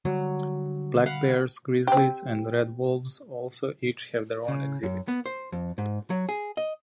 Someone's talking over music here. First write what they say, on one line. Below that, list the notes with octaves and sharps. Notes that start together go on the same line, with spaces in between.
Black bears, grizzlies and red wolves also each have their own exhibits.
D3 F#3 G3
F5 F#5 B5
C4 G4
C#3
F#2
B3
C5
F2
G#2
F#3
G#4
D#5